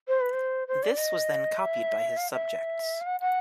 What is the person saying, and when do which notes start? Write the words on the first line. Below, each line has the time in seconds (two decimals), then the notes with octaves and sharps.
This was then copied by his subjects.
0.08 C5
0.21 B4
0.32 C5
0.68 C5
0.83 D5
0.97 D#5
1.57 E5
2.17 F5
2.32 E5
3.01 F5
3.06 F#5
3.20 F#5